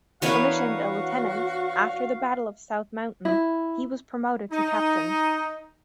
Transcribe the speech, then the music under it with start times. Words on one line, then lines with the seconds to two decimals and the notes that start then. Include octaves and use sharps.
Commissioned a lieutenant, after the Battle of South Mountain he was promoted to captain.
0.22 E3 B3 D4 F#4 A#4 B4 C#5 F5
3.25 E4
4.52 D#4